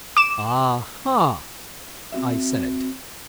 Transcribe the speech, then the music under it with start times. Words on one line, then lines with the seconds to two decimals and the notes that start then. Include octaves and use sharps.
"A-ha!" I said.
0.17 D6 E7
2.12 C4 F#4 E5